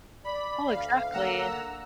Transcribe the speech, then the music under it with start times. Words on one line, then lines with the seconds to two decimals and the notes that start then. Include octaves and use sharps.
Oh, exactly.
0.25 D5 B5
0.67 D2 F5
1.12 D3 A#3 F#5 A#5 E6